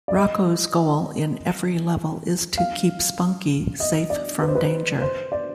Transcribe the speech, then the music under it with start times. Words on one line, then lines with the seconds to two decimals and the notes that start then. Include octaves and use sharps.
Rocko's goal in every level is to keep Spunky safe from danger.
0.08 D5
0.14 D#5
2.58 F5
3.80 D#5
4.10 D5
4.41 B4
4.48 C5
4.55 B4
5.02 C5
5.32 D5